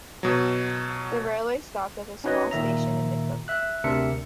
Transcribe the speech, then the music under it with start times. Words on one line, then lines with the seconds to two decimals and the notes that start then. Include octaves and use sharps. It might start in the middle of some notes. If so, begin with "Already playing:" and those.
The railway stopped at a small station in McCook.
0.23 B2 F#3
2.24 C#4 D#4 F#4 B4 C#5 D#5
2.51 A#2 D#3 E5 A#5
3.48 E5 F#6
3.84 D2 C3 D4 A#4 E5 C#7